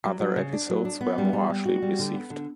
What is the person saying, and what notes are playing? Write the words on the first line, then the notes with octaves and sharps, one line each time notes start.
Other episodes were more harshly received.
F#3
F#3
C#3
D4
F#3
D4
B3
G3
G3
G3
F#4
G3
D3
B3
D3